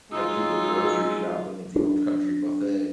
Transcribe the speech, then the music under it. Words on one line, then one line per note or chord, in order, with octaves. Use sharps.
You have people grocery shopping at the Old Country Buffet.
F#3 G#3 D#4 F4 E6
D4